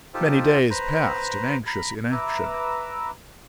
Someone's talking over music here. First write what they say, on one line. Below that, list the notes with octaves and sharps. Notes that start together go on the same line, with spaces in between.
Many days passed in anxious inaction.
D#4 F4 G4 A4 C5
B4 C5 A#5
A#5 B5
B4 E5 A#5 D6 E6